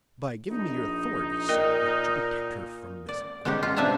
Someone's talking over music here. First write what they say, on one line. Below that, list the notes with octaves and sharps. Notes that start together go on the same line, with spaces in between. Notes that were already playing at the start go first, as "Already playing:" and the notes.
"By giving me your authority, sir, to protect her from Miss Gwilt."
A#1 D#4
A#2 A#4 D#5 G5
D5
G#3 B3 C#4 D#4 G4
F4
C3 B3 D4 E5 G#5 A#5